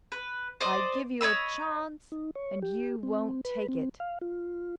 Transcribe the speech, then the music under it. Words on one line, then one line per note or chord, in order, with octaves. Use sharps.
I give you a chance, and you won't take it.
B4
C5 D5 D#5
C#5 D#5 B5 E6
D#4
C#5
G4
C4
B4
C4
F5
F4